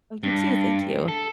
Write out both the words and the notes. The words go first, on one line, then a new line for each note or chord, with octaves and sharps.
Oh, you too, thank you.
G2
A4